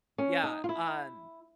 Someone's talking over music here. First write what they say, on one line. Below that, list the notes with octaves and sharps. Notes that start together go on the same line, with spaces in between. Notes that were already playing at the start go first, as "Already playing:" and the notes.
Yeah, um,
C#4
D#4
F4
E4